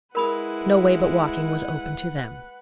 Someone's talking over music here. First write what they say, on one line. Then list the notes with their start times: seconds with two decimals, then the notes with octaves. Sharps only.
No way but walking was open to them.
0.15 G#3 E4 A#4 B4 F#5 B5 D#6